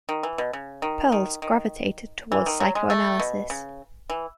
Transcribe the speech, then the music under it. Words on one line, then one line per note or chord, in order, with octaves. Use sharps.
Perls gravitated toward psychoanalysis.
D#3
E3
B2
C#3
D#3
D#3
D#3
E3
D#3
F#3
G#3
A3
B2
C#3
E3